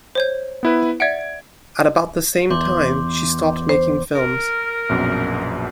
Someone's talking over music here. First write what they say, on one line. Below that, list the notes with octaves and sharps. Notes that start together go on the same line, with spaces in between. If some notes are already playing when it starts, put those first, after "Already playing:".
At about the same time, she stopped making films.
C5 C#5 G6
B3 E4 B4
D5 E5 F#5 G#6 D7
E2 C6 D6 G6
C5
A#4
A#1 F#2 B2